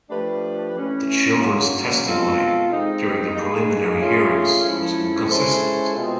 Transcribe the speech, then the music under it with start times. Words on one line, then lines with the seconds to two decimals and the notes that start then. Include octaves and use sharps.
The children's testimony during the preliminary hearings was inconsistent.
0.09 F3 A3 D4 G4 B4
0.75 E3 A3 C#4 E4
1.40 F#3 A#3 C#4
2.04 B2 G#3 C4 F4 A4
2.69 G#3 C4 D#4
3.34 A#3 D#4 G#4
3.99 A3 C#4 F4 G#4
4.64 F3 G#3 C#4 E4 A4
5.29 G#3 C#4 E4 A4 C5
5.94 B2 G#3 C4 F4